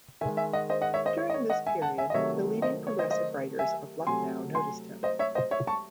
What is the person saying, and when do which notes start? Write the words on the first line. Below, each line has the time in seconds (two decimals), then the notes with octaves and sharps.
During this period, the leading progressive writers of Lucknow noticed him.
0.21 D#3 E5 G#5
0.25 G#3
0.37 E5 G#5
0.53 D#5 F#5
0.69 C5 D#5
0.81 D#5 F#5
0.94 C#5 E5
1.06 C5 D#5
1.18 C#5
1.30 D#5
1.34 C#5
1.50 D#5 F#5
1.66 E5 G#5
1.82 F#5 A5
1.98 E5 G#5
2.10 D#5
2.14 C3 D#3 F#3 A3 C#5 E5
2.62 C5 D#5
2.87 C#5
2.99 C5 D#5
3.10 C5 D#5
3.59 E5 G#5
4.07 C3 F#3 A3 G#5 C6
4.55 G#5 C6
5.03 C5 D#5
5.19 C#5 E5
5.35 C5 D#5
5.51 C#5 E5
5.67 A5 C#6